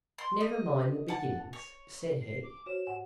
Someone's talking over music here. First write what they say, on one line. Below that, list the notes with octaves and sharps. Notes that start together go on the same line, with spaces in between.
"Never mind the beginnings," said he.
C6
D#5
F#5 A5
C#5
C7
D6
F#4 C5 C#5 E7
G#2 F#5 G#5